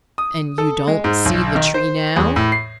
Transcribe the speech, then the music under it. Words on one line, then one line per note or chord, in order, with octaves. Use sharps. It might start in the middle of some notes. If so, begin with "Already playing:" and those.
"And you don't see the tree now?"
D#6
A4
G#3
G#2
B1
D#3
C5
E2
A2
C7